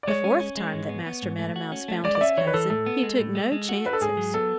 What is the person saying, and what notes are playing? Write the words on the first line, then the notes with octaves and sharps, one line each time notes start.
The fourth time that Master Meadow Mouse found his cousin he took no chances.
D5
G#3 C#5
C#4
C#4
G#3
G#2
B3
B3
G#2
A3
F#4
C#4
A3
G#3 D5
D5
C#4 E5
E3 C#5
B4
E3 A4
A2 A4
B3
G#3
A2
G#3
G#3
F#4
D4 B4
A4
G#2 G#4
F#3
B3 A4